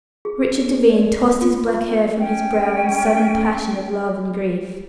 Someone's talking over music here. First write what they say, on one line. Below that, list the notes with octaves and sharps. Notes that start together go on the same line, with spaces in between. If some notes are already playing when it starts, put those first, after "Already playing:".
Richard Devine tossed his black hair from his brow in sudden passion of love and grief.
G#4
D5
F4
C#4 G5